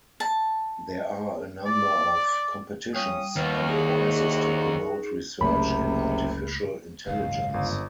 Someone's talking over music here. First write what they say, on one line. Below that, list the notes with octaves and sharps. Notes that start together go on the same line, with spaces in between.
There are a number of competitions and prizes to promote research in artificial intelligence.
A5
D5
G3 C#4 F4 C#5 D#6
D#2 B3 F#4 B4 F6
C2 D#4 G#4
F#1 C#2 C3 A3 A#3 B5
D#1 G#1 C#2 F#2 F5
G1